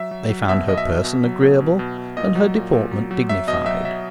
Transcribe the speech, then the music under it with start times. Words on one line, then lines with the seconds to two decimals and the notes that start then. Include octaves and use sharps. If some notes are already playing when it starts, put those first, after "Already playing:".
They found her person agreeable and her deportment dignified.
Already playing: F#3 E5
0.11 F#3
0.30 F#3
0.49 B2 E5
0.68 B2 D#5
0.78 E5
0.86 B2
1.04 B2
1.24 F#3
1.42 B2
1.60 B2
1.79 B2
1.98 B2
2.17 A#2 D#5
2.35 F#3
2.55 A#2
2.73 A#2
2.91 F#3
3.11 F#3
3.29 F#3 E5
3.47 B2 D#5
3.66 F#3 E5
3.85 F#3 E5